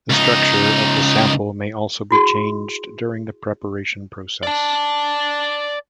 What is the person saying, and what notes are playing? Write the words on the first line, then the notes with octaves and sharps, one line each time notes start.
The structure of the sample may also be changed during the preparation process.
C#2 D#4
E4 F#4 G#4 C6
D5 A5